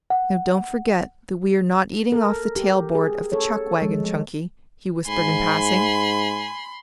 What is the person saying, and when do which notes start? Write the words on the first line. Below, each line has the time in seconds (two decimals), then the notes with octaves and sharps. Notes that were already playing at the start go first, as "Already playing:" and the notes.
"Now, don't forget that we are not eating off the tail board of the chuck wagon, Chunky," he whispered in passing.
0.10 F#5
2.12 A4 A#4
2.56 G4
2.95 G#4
3.32 A4 C#5
3.82 F3 G#3
5.08 G#2 G#5 B5 C6